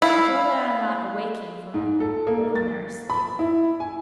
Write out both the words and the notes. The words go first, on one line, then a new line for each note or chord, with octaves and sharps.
I feel that I am not awaking from ordinary sleep.
E4 F5 B5
G#2
A4
A#3
A6
B5
E4
G#5